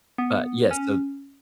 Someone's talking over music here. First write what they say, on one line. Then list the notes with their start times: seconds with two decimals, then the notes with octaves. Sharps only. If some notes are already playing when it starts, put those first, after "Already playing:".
but yeah, so
0.18 B3
0.71 C#4